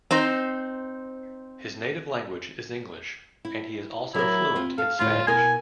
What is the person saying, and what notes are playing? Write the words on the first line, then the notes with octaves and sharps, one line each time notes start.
His native language is English and he is also fluent in Spanish.
C4 D#4 C5
E4
F#3 E4 A#4
C4 F4
A4 F5
D2 A2 E4 F4
B2 E4 A#4 G#5